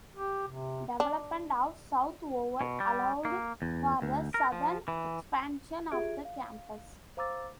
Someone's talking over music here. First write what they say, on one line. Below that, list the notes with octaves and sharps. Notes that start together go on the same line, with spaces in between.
Development of South Oval allowed for the southern expansion of the campus.
G4
C3
D4
B2
G3
A#3
E2
D2
A#4
F3
E3
F4 G4 G#4 E5 G#6 D7
F5
C5 F5 A#5 D6 E6 A6